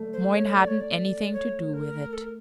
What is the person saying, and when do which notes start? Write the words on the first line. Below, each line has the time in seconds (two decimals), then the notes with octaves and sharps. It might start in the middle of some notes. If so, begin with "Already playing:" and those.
Moyne hadn't anything to do with it.
Already playing: A3
0.13 C5
0.33 C#5
0.54 D5
0.68 C#5
0.80 D5
1.33 C#5
1.74 A#4
2.13 A4
2.21 A#4